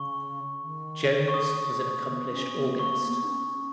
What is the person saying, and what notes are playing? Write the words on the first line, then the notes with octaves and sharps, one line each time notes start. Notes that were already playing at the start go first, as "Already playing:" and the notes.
Jones was an accomplished organist.
Already playing: C#3 C#6
D#3
C#6
D#6
B3
C#4
B3
B3
A#3 C#6
B3
D#4
C#4
C#4